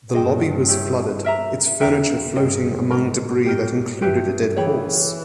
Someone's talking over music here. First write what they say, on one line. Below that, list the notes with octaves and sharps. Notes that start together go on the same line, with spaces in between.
The lobby was flooded, its furniture floating among debris that included a dead horse.
G2 G#4 D#5 G5
E4 G4 C#5
A#4 E5 A#5
E2 B4 E5 G5 A#5
G2 G#4 D#5 G5
G#2 A#4 D#5 A#5
G#2 G4 A#4 D#5
G2 G4 B4 E5
E3 G#4 C#5 G5 B5